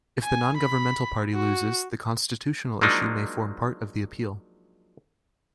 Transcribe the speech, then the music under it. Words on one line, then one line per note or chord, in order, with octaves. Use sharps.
If the non-governmental party loses, the constitutional issue may form part of the appeal.
G#5
B5
F#4
F3 F#3 G#3 A#3 D4 D#4